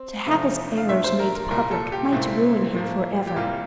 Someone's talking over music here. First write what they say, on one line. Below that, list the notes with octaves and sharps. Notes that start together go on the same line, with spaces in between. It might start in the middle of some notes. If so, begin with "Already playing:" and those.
To have his errors made public might ruin him for ever.
Already playing: C4
E2 C3 F3 A3 D4
F5
A#2 F3 A3 D4 E5
C5
A#4
A#4
C2 A#2 G3 A#4
A4
G4
C2 A#2 A3 C4 E4
A2 F3 A#3
G4
C2 C3 E3 G3 A#3 F4